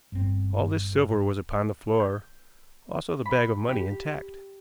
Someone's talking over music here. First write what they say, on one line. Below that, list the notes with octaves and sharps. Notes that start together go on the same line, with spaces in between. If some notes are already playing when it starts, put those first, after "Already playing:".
All this silver was upon the floor, also the bag of money intact.
G1 G2 A#2 C4
G6
B5
G4